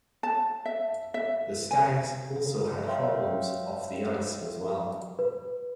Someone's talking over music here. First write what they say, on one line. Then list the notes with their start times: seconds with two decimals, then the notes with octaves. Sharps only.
The Stags also had problems off the ice as well.
0.23 A5
0.65 E5
1.14 E5
1.71 G#5
2.87 C#5 E5 F5 G5 C6
5.19 B4